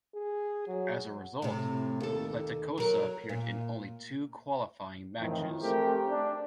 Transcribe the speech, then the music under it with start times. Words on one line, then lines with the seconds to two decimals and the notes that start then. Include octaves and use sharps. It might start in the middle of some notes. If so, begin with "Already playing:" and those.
As a result, Pletikosa appeared in only two qualifying matches.
0.14 G#4
0.67 F#3
1.42 A2 C3
2.00 D#2 A4
2.78 F#3 A#4
3.29 A#2
5.20 F2 A2 D#3 E3
5.62 A3 C4 G4 G#4 A#4
6.09 D4